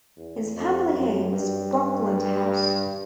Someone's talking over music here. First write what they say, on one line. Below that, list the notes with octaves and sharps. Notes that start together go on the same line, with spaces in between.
His family home was Buckland House.
E2
F2
F#2
G2